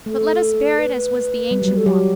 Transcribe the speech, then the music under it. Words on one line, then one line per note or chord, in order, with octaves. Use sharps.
But let us bear it as was the ancient wont.
A3 A4
B4
G3
F#3
G3
A4
F#3 G4